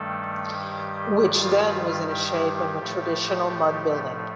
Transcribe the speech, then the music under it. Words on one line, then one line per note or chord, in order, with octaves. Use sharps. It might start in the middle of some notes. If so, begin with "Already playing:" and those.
Which then was in a shape of a traditional mud building.
Already playing: G2 D#3 G3 A3 A4
G4
F4
G4
A2 F3 A3